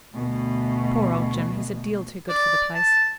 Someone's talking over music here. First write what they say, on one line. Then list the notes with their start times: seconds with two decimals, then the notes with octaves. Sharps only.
'Poor old Jim, he's a deal too good for the place.
0.13 D2 B2
2.29 D5
2.75 A5